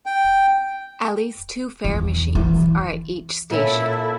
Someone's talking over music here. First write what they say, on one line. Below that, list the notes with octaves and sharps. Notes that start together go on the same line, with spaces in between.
At least two fare machines are at each station.
G5
E2
E3
A#2 C#4 E4 A4